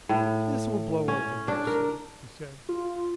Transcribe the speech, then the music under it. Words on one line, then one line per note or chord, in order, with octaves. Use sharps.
"This will blow over, dear Sue," he said.
A2
C#4
D4
A#4
F4